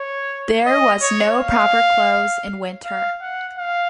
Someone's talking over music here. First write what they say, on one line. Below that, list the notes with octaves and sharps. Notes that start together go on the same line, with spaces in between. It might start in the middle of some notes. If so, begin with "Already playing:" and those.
There was no proper clothes in winter.
Already playing: C#5
D#5
C#5
F5
F5
F#5
F5